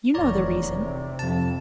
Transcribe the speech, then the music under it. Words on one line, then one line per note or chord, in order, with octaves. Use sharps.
You know the reason.
F1 E2 C#5 D5 A#5
C3
F2 A5